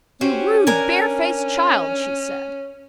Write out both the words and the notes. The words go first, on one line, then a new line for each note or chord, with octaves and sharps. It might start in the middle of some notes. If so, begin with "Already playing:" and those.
'You rude, barefaced child!' she said.
C#4 F#4 G4 C5
D4 A#4 G#5